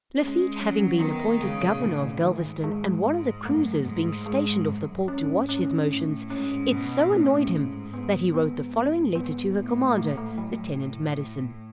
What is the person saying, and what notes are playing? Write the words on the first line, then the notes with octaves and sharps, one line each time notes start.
Lafitte having been appointed governor of Galvezton and one of the cruisers being stationed off the port to watch his motions, it so annoyed him that he wrote the following letter to her commander, Lieutenant Madison.
G#3 C#4
F#3 C#4
D#3 B3
C#3 G#3
B2
A2 D#3
C#3
G#2 D#3
G#3
G#2
F#2 A3
G#2
G#3
F#2
G#2 C#4
G#2 C#4
A2
G#2 C#4
B2
A2 C#4
G#2
G#2 B3
G#2 B3
B3
A2
A3
A3
A2 F#3